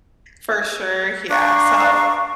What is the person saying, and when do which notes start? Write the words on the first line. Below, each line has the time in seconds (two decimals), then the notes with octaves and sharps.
For sure, yeah, so,
1.29 D4 F5 A#5 C#6